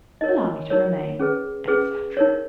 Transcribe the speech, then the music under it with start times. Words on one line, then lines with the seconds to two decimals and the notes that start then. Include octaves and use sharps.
Allow me to remain, etc.
0.21 D#4 A#4 C#5 D#5
0.70 D#4 A#4 C#5
1.19 C#4 G#4 B4
1.68 C#4 G#4 B4
2.17 D#4 A#4 C#5